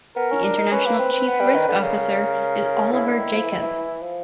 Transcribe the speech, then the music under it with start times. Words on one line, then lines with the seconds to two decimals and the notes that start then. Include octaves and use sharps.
The international Chief Risk Officer is Oliver Jakob.
0.16 B3 A#4
0.31 C#4
0.44 D4
0.59 D#4
0.72 C#4 B4
0.86 A#3
0.99 C4
1.13 C4
1.27 B3
1.40 G3
1.55 D#3
1.69 D3
1.82 C#3 A#4
2.92 C#3 E4
3.06 D3
3.20 D#3
3.33 F3
3.43 E3
3.52 D#3
3.62 E3
4.02 F3